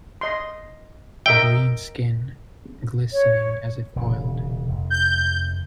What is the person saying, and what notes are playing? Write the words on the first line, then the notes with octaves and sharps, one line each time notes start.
Green skin, glistening as if oiled.
D#5 C6
A#4 D#5 E5 G5
C#5
E1 A#2 C#3
F1
G6